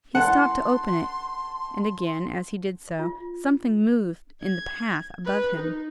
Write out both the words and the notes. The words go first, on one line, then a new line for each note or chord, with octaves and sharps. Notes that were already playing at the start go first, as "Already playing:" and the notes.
He stopped to open it, and again, as he did so, something moved in the path above him.
F#5 A5 C6
F4
G#6
B4
D#4